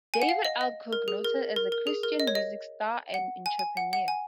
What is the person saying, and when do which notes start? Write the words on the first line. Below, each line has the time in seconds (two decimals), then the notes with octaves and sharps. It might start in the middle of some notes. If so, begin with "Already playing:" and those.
David L Cook, noted as a Christian music star and entrepreneur.
0.14 G#5
0.22 F#5
0.29 F5
0.45 D#5
0.61 D#5
0.93 A#4
1.08 G#4
1.25 A#4
1.56 A#4
1.72 A#4
1.87 G#4
2.03 A#4
2.20 D#5
2.27 C#5
2.35 D#5
3.14 F#5
3.46 G#5
3.59 G#5
3.77 F#5
3.93 F#5
4.08 G#5